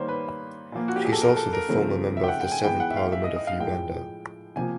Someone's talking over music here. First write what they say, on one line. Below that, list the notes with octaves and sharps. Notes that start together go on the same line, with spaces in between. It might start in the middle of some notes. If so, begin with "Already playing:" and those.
She is also the former member of the seventh Parliament of Uganda.
Already playing: D#3 G3 A#3 C5 C#5
B4
A#2 F3 A#3
F#4
G4
G#4
A4
A#4
A4
A#4
C#3 F3 A3 C4
E5
G5
F#5
G5
G#5
E3 G#3 B3 G5
F#5
E5
F5
E5
D#5
D#5
F5
A2 F3 G#3 G5
C3 F3 A#3 G#5